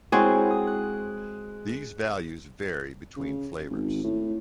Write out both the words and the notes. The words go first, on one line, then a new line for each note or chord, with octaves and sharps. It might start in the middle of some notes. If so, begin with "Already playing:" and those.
These values vary between flavours.
G#3 C4 E4 F#4 G#4 C5 C#5
D#6
F#6
C#3
G#1
A2